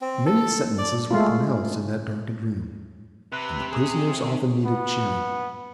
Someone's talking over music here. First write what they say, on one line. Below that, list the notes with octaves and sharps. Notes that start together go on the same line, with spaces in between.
Many sentences were pronounced in that darkened room, and the prisoners often needed cheering.
C4
A4
D5
G#3 A3 F4
C3 B4
G#4
B3